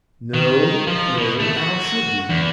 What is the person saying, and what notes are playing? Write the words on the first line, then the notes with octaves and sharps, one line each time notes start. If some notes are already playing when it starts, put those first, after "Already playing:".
No, no; how should you?
D#3
F3
B2
A3
F#4
E2